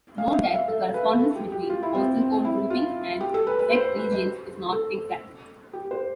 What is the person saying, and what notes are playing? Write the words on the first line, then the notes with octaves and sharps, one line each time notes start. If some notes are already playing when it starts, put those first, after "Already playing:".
Note that the correspondence between postal code groupings and Czech Regions is not exact.
F5
E5
F5
E5
A4
B4
B4
A4
G4
G4
F4
E4
C4
C4
E4
F4
G4
A4
B4
B4
C5
B4
A4
G4
C5